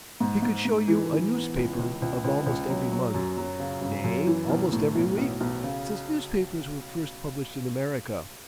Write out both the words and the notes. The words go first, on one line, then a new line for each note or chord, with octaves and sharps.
He could show you a newspaper of almost every month--nay, almost every week, since newspapers were first published in America.
G#2
G#2
G#2
E3
E3
B3
C#2
C#2
C#2
C#2
C#2
F#3
F#3
F#2
F#3
C#3
C#3
F#2
E3
B1
A2
B1
B1
B1
C#3